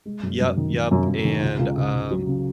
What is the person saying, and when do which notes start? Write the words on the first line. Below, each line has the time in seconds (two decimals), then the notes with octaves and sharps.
Yep. Yep. And, um
0.06 G#3
0.23 F#2
0.41 F#2
0.57 D#3
0.74 D#3
0.91 F#2
1.08 F#2
1.25 D#3
1.42 C#2
1.59 C#2
1.77 C#2
1.93 C#2
2.11 F#3
2.27 C#3